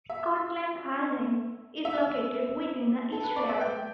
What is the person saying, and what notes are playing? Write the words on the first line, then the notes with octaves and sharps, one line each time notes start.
Scotland Island is located within the estuary.
E5
E5
A4
B4
D5
E5
G5